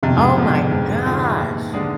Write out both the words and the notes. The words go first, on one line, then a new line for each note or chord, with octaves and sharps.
Oh my gosh.
F2 C3
B2
G#2
B2
B2 D3 F3
G#2
F2 G#2
D3 F3
D#2
D3 G#3 D4 G#4